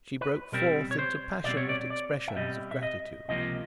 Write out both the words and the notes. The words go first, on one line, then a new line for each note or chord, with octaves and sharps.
She broke forth into passionate expressions of gratitude.
B4
B2 G3 C4 A#4
C#5
C5
B2 G3 C4 D5
C#5
D5
D5
E5
B2 G3 C4 D#5
E5
D#5
C#2 C3 F3 A#3 D#5